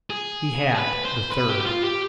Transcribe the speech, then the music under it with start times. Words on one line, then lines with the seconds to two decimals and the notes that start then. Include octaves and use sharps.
He had--the third.
0.10 G#4
0.75 G#4
0.79 B4
1.05 C5
1.32 B4
1.49 G4
1.60 G4
1.66 F4
1.84 G4